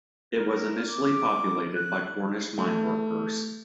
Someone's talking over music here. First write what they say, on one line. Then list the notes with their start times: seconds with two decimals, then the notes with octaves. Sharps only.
It was initially populated by Cornish mineworkers.
0.37 A#4
0.90 D6
1.75 F#6
2.58 A3